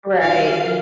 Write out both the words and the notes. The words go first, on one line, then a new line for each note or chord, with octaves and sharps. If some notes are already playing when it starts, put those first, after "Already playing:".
Right, ye
D#3 F4 F#4 F5